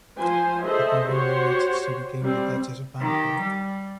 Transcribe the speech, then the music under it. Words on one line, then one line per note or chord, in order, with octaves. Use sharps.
Upon her marriage she became the Duchess of Anhalt.
F3 C5 G#5
G#4 A4 C5 D#5 E5
F#4 G4 C5 C#5 C6
G3 C4
D#3 G4
G3